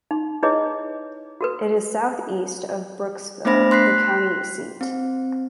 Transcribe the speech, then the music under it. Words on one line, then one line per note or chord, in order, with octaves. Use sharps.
It is southeast of Brooksville, the county seat.
D#4
D#4 E4 G#4 B4 C#5 D#5
F#4 A4 B4
A3 B3 D4 C5 B5 A#6
C6 F#6 B6 C7
C4